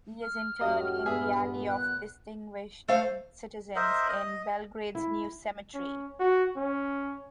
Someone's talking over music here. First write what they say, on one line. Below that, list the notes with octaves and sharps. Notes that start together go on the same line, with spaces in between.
He is interred in the Alley of Distinguished Citizens in Belgrade's New Cemetery.
F6
F#2 A2 F#4 G4 D#5
G2 A#2 B3 G#4 E5
F#6
A3 C5 F5
A#4 C5 D#5 E5
D#5
E4
C#4
F#4
C#4